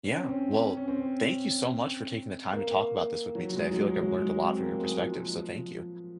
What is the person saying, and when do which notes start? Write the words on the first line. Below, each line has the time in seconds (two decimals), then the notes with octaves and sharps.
Yeah. Well, thank you so much for taking the time to talk about this with me today, I feel like I've learned a lot from your perspective, so thank you.
0.04 C#4
0.17 C4
0.29 C#4
0.77 C#4
0.88 C4
2.53 A#3
3.35 F#3
3.56 G#3
3.71 F#3
3.77 G#3
3.98 F#3
4.18 G#3
4.39 C4
4.60 A#3
4.74 F#3
4.80 G#3
5.00 F3